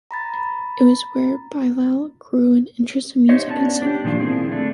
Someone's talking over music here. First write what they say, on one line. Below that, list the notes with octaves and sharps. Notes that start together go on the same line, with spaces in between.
It was where Bilal grew an interest in music and singing.
A#5 B5 A6
D#4 G4 C5 C#5 D#5
B3 C#4 D4 A#4 A5
D4 G4
A#2 D#3 F3 D4 F4
C4 E4 G#4 A#4
D3 A3 D4